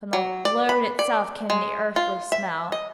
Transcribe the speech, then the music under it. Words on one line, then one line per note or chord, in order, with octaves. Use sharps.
From the load itself came the earthly smell.
F#3
D5
B5
D5
G#3
F4
E5
D#5